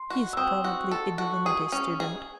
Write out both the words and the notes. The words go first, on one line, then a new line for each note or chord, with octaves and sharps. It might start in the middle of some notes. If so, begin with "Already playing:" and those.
He's probably a divinity student.
Already playing: C6
F#4
E6
C4 D#6
F#4
A4
F#4
G#4 D#6
C#4
G#4